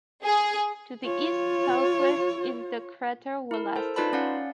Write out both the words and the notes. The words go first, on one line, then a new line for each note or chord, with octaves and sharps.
To the east-southeast is the crater Wollaston.
G#4
F4 C#5
E4 A#4
A4 C5 A5
D#4 F4 B4 D5 A5 B5
C#4 D5 F5 F#5